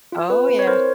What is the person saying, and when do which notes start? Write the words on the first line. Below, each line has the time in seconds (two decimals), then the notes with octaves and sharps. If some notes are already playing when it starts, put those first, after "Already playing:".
Oh, yeah.
0.12 F4
0.30 C4 B4
0.49 C4
0.59 C#5
0.67 E4 A#4 C5